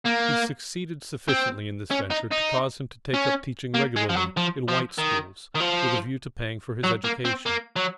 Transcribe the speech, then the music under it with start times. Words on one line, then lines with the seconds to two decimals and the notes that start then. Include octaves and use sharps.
He succeeded sufficiently in this venture, to cause him to take up teaching regularly, in white schools, with a view to paying for his education.
0.05 A#3
1.28 C4
1.91 C#4
2.10 D#4
2.31 D#4
3.14 C#4
3.75 A#3
3.96 G#3
4.10 F3
4.16 F#3
4.37 F3
4.68 F3
4.98 D#3
5.55 D#3
5.60 F3
6.84 F#3
7.04 A#3
7.25 C4
7.46 A#3
7.76 F#3